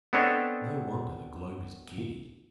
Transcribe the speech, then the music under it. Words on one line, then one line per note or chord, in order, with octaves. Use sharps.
No wonder the globe is giddy!
B3 C4 D4 A4 C#5 D#5